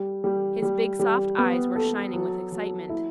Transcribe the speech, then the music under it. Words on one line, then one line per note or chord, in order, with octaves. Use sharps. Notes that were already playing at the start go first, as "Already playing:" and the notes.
His big soft eyes were shining with excitement.
Already playing: G3
G3
G3
G3
B3
A4
F#3
F#3
E4